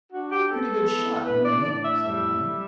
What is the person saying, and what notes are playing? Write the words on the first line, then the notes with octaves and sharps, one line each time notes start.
"A pretty good shot, Mealy!" said one.
D4 F#4
G4
B3 A4
E3
D4 B4
D5
A2 D5
E5
G3 E5
G3